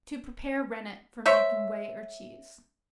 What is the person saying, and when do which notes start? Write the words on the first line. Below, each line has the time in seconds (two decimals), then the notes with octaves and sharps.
To Prepare Rennet for making Whey or Cheese.
1.26 C5 C#5 E5